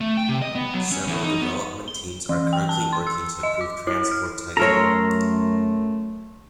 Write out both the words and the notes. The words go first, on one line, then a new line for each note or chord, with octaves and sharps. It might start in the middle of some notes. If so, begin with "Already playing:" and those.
Several development teams are currently working to improve "Transport Tycoon".
A3
G5
C3
D#5
B3
F#3
C#4
E2
D#4
B3
G7
E3
G5
A5
C6
E6
D#5
D6
E4
F6
F#2 A3 A4 A#4 C#5 A#5 C6